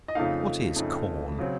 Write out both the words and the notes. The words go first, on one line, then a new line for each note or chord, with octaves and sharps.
What is Corn?
D#5
F2 C#3 A3 D#4 F5
F2 C#3 A3 D#4
C#3 F#3 C4